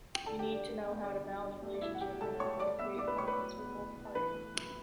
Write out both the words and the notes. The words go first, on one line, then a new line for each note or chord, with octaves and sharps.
You need to know how to balance the relationship in order to create profits for both parties.
G5
D3 A4 A5
G4 G5
G3
D5
G2
B3
D3 D5
F#3
G2
A3
D5
B2 E4 E5
F#5
F#3 G4 G5
C#2 A4 A5
A3 C#5 C#6
G3 D5 D6
B3 E5 E6
A2 D5 D6
B4 B5
A2 C#5 C#6
B4 B5
F#3
B3
A2
A2
A5
E3 B4 B5
A3
F#2